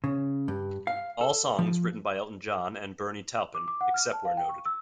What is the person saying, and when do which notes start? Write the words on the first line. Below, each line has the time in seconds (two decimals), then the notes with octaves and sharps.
All songs written by Elton John and Bernie Taupin, except where noted.
0.04 C#3
0.48 G2
0.87 F5
1.21 A4
1.59 F3
3.55 D6
3.68 D6
3.81 F#5
3.94 F6
4.13 A5
4.25 F5
4.37 G5
4.49 C#6
4.66 E6